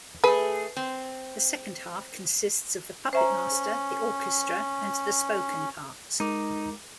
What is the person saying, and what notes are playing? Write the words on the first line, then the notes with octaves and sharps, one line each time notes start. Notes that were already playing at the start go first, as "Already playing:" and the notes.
The second half consists of the puppet master, the orchestra, and the spoken parts.
A3 G#4 B4
C4
C#4 C5 E5 A#5
G#3 D#4 A#4 D6